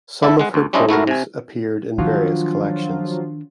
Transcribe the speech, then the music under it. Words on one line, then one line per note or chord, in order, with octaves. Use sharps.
Some of her poems appeared in various collections.
E4 A4
G#3 F#5
D2
G3 C#4 D4 E4 C5 D#5
A3 E4 F#4 A#4
C3 G#5
D#3 F3 F#3 D4 F4